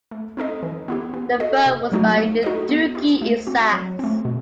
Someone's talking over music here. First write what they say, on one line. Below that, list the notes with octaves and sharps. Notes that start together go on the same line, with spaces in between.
The throw was by Dougie Isaacs.
A3
C4 D#4 A4 D#5
E3
B3 E4 G4
B3
F#4 A4 D#5
C3
F#3 A3 D#4 F#4
A3
D#4 F#4 A4 D#5
B3
E4 G4
A3
C4 F#4
F#3
A3 C4
B2